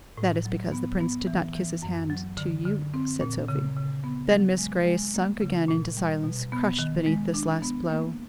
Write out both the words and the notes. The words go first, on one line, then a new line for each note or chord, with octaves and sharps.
"That is because the prince did not kiss his hand to you," said Sophy. Then Miss Grey sunk again into silence, crushed beneath this last blow.
A2
F#3
B3
B3
E3
E3
F#2
F#3
D3
D3
C4
A#2
C#3
C#3
B3
F#3
G#3
G#3
A#3
C#3
A#2
G3
B2
B3
D#3
G#3
D4
B3
A#3